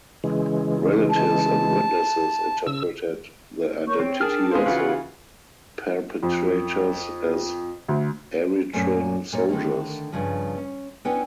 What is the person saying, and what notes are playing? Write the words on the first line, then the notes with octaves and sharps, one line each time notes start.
Relatives and witnesses interpreted the identity of the perpetrators as Eritrean soldiers.
C#3 E3 G#3
A5
C#3 E6
A#4 C#5 C#6 G6
C4 G5
D4 G#4 A#4 A5 F6
G#3 B3 C4 F5
C#3 E3 F4 F#4 B4 C#5 F#5
F2
D2
F#2 A#2 A3 A#3 C#4
A#2 A#3 C#5
D3 D#3 F3 A3 A#3
G2 C#3 F3
C#4
B3 C#4 D4 E4 G5